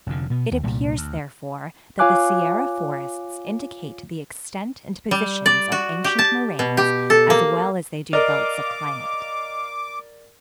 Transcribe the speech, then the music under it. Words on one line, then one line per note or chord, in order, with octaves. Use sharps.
It appears, therefore, that the Sierra forests indicate the extent and positions of ancient moraines as well as they do belts of climate.
F1 F2 D3
B2 B3
D#2
C2 A#2 G3
D2
F4 C#5 F5 G#5 D6 F#6
G3
D5
F#4
G4
A5
B2
G4
A4
A#3
A#4 D5 D#5 F5 D6